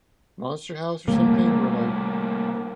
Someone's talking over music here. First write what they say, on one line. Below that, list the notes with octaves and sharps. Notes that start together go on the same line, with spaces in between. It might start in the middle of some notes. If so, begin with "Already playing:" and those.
Monster House or something where, like,
C3 G3 A3 A#3